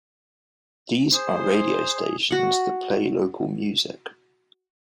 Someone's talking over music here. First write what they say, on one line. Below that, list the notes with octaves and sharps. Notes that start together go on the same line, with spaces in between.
These are radio stations that play local music.
G#4 C5
F#4 F#5